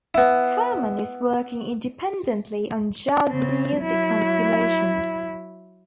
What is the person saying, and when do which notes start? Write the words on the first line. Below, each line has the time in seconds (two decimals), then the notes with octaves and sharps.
Kerman is working independently on jazz music compilations.
0.15 B3 E4
3.27 C#3 C4
3.79 F#3 E4